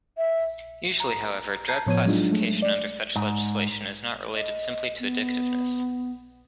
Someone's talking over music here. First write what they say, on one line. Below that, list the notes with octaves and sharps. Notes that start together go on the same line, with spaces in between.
Usually, however, drug classification under such legislation is not related simply to addictiveness.
E5
A#5
A5 A#5 G6 G#6 C7 D#7
A2 F3 B3 C#5 G#6 D#7
F#3 G#3 D4 D#4 F4
F#3 G#3 A3
D5
G#2
D#5
B3